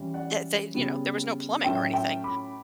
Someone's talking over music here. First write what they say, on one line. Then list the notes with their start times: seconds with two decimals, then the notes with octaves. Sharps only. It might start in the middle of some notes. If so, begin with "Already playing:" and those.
eh they, you know, there was no plumbing or anything,
Already playing: E3 G3 C#4
0.14 D5 F#5
0.74 C#3 G3 B3
1.64 A2 F#3 A3 C#4 E5 G5
1.94 E5 G5
2.24 B5 D6